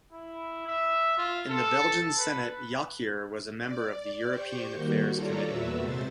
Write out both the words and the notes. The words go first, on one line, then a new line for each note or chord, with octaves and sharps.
In the Belgian Senate, Jonckheer was a member of the European Affairs Committee.
E4
E5
F4
A4
B4
D5
G4 C5 C#6 G6
D#3 G3 A#3 F#4
F4 A4 C#5 D5 A#5
E2 A#2 F#4 B4 E5 E6
C3 G#3 C5 A6